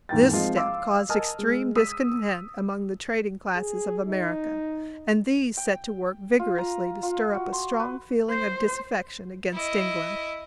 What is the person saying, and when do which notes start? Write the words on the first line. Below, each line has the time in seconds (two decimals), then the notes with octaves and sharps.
This step caused extreme discontent among the trading classes of America, and these set to work vigorously to stir up a strong feeling of disaffection against England.
0.09 E2 G#2 A#3 G5 A6
0.32 F3 G#3 C4 F4 D#5
0.56 F5 C6 D6 E6
1.09 A#4 D#5 G#5 A5 D#6 F6
1.39 G#3
1.76 D#6 E6 B6 D#7
3.56 G#4
4.07 D#4
5.57 G5
6.40 F4
6.58 A#5
7.03 F4
7.34 F#4
7.53 C6
7.80 B4
8.30 C5
9.53 E4 D#5